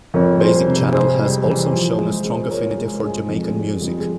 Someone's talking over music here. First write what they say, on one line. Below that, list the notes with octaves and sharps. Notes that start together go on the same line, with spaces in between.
Basic Channel has also shown a strong affinity for Jamaican music.
F2 A#4 C#5
G3 G#4 C5
C3
G3 G#4 C5
G3
E3
F3
G#3
G#3
G#3 A#4 C#5
G#3
G#3
F2
G3
F2
G#4